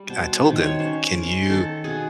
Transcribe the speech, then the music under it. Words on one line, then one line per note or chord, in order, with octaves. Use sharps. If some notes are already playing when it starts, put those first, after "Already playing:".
I told them, "Can you"
Already playing: G3
B2 C5
D#3 C5
C#5
C#4 C5
G#3 A#4
D#3 A4
B2 G#4